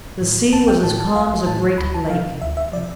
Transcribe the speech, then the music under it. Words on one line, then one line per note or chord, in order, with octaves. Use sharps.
The sea was as calm as a great lake.
A2 E3
B1 A5
G5
A2 E3 A5
A5
B1 F5
A2 E3 A5
D2 B5
A5
C3 F3 F5
D2 E5
E5
C3 F3 D5